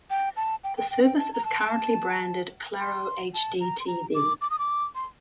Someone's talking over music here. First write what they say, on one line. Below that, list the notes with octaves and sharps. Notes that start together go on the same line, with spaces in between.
The service is currently branded Claro hdtv.
G5
A5
G5
G5
G5
G5
A5
A#5
A5
C6
A5
A#5
C6
A#5
D6
D6
D#6
D6
C6